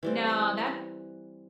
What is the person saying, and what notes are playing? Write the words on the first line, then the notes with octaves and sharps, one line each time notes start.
No, that's
E3 G3 C4